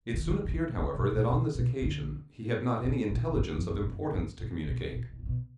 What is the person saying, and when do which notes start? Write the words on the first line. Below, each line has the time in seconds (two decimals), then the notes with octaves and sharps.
It soon appeared however, that on this occasion he had not any intelligence of importance to communicate.
0.14 D#3
0.26 D3
0.45 D3
0.51 D#3
0.78 D3
0.95 B2
1.12 A#2
1.29 B2
1.55 B2
1.82 D3
2.85 B2
3.10 A#2
3.27 A#2
3.36 G#2
3.54 F2
3.70 F#2
3.81 G#2
3.88 F#2
4.14 G#2
4.39 A#2
4.66 B2
4.92 A#2
5.09 B2
5.19 A#2
5.26 B2